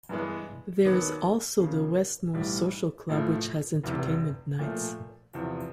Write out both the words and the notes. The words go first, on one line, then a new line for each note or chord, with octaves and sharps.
There is also the West Moors Social Club which has entertainment nights.
G2 E3 G#3 B3
D#2 D#3 F#3 B3 D4
C#3 F3 A#3
B1 A2 E3 G3
A#1 A2 F3 A3
F1 E2 C3
A#2 F3 A3
E2 C3 F3